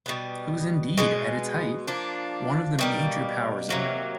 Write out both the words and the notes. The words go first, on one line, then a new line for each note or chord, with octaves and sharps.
It was indeed, at its height, one of the major powers in Europe.
B2 G3 B3
B2 G#3 B3
F3 A#3 D4
B2 G3 A#3
C3 D#3 F#3 A#3